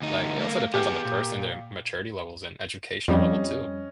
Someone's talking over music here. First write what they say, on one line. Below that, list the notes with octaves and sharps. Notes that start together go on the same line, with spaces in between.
Like, it also depends on the person, their maturity levels and educational level, too.
D2 D#4
A3 A#3
B3 G4 G#4
A#2
F2 G3 C#4 D#5